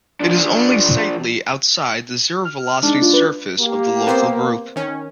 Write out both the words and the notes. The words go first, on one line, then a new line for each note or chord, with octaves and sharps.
It is only slightly outside the zero-velocity surface of the Local Group.
F3 D4
F6
G#3 D4 D#4
F4
B4
A#3 G4
B3 C4 C5
D#3 C#4